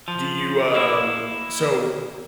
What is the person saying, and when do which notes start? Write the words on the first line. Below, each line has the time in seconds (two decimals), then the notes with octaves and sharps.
Do you, um so,
0.08 F3
0.74 A#3 E4